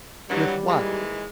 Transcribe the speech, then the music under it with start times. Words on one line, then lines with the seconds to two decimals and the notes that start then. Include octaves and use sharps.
"With what?"
0.30 G2 E3 F#3 G3
0.68 D#2 E3 G#3